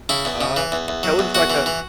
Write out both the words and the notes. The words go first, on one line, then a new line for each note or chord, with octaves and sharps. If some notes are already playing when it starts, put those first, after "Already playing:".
Uh, Katt Williams like a
C#3 E4
E2
C#3
E3
E2
E2
F#3
E2
E2 F#4
E3
E3